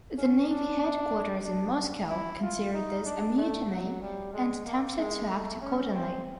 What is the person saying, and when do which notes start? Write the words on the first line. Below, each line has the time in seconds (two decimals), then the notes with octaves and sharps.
The Navy headquarters in Moscow considered this a mutiny and attempted to act accordingly.
0.18 C#4
0.50 D4
1.45 D4
2.10 E4
2.42 F4
2.74 D#4
3.05 D4
3.37 A3
3.70 F#3
4.01 G3
4.34 G#3
4.65 A#3
4.98 G#3
5.30 A3
5.61 C#4
5.94 C4